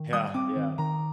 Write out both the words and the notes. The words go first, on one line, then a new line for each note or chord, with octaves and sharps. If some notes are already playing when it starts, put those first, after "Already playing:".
Yeah, yeah.
Already playing: D#3
G3 D#6
C4 D6
D#3
D#3 A#5